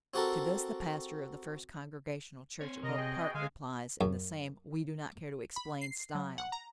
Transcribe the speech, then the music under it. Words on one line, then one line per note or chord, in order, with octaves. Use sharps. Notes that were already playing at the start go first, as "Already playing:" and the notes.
To this the pastor of the First Congregational Church of Oak Park replies in the same we-do-not-care- to-explain style.
C4 F#4 G4 A4 A#4
C4 C#5
C3 A#4 D#5
B2 G#4 G5
D3 G#3 F5 G#5
F#2
B5
C7
F#3
F#5
A#5